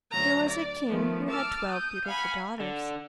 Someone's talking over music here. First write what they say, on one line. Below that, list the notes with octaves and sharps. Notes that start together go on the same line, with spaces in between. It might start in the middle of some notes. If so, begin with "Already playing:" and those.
There was a king who had twelve beautiful daughters.
D2 F#3 A#5
D5
D#3 F3 A3 B3
A5 D6 E6 F6
D#6 G6
F5 F#5 G#5 B5
D3